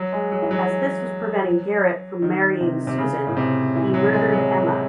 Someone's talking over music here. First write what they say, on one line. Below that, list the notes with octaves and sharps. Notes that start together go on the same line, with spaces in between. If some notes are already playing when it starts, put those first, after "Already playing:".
As this was preventing Garrett from marrying Susan he murdered Emma.
Already playing: F#3
G#3
F#3
E3
F#3
D#3
C3
C3
C#3
A2
C3
E3
F#3
G#3
F#3